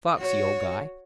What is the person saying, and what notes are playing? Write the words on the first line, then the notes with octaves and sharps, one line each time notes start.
Foxy old guy.
F#4 C#5